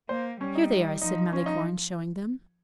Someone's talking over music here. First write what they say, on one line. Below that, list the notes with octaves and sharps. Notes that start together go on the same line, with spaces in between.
"Here they are," said Malicorne, showing them.
A#3 C5
G3 C#4
D#4
F3 D#4
F3 C#4
D#4